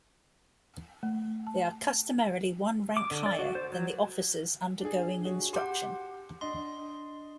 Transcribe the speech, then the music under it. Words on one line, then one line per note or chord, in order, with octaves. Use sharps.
They are customarily one rank higher than the officers undergoing instruction.
A3
A5
D6
D3
D5
F#4
C5
F#3
D4 G#4
F#4 G#4 C#5
G4 F#5 C6 D6 G6
D4 D#5 C6